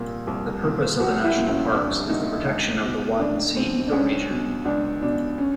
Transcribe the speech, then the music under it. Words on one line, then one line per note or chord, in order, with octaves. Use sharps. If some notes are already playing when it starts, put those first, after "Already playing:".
The purpose of the national parks is the protection of the Wadden Sea ecoregion.
Already playing: C2 A#2
C2
A#2
C2 F#4
E4
A#2
C#4
C2 D4
A#2 D#4
C#2
B2
C#2 D4
B2 C4
D4
C#2 C#4
B2
C#2 D4
B2 D4
C#4